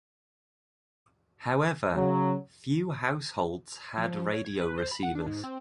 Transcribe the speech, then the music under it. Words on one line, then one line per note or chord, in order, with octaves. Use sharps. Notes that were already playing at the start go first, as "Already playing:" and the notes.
However, few households had radio receivers.
C#3 F#3
F3
F3
C#5
G#6
B4
C5
B5
F#5
D4
G#2
C4